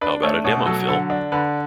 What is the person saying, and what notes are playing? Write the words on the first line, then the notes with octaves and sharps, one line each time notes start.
How about a demo, Phil?
D4 B4
A3 C#5
B2 C#5
F#3 A4
D3 A4
D4
D3 B4